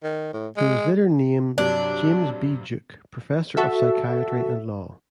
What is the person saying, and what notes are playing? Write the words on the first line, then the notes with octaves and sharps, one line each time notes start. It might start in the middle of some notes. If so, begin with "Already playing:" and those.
He was later named James B. Duke Professor of Psychiatry and Law.
D#3
A2
G#3
G2 C3 F#3 D4
F#4 A4 E5